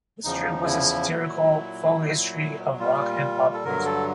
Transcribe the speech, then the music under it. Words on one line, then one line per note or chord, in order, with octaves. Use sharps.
The strip was a satirical faux-history of rock and pop music.
E2 C#3 F3 D#4
E4
A#2 F#3
A#2 F#3
A#2 G3 F4
A4
G2 D3 F#3 A#4
A4